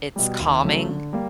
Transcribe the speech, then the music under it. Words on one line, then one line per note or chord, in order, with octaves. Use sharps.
it's calming,
B2 G3
D#2
C#3 F#3 A3
D3
G3 A#3